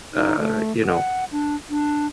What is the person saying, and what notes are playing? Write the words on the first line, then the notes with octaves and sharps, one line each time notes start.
uh, you know,
D#4
A3
F#5
D4
D4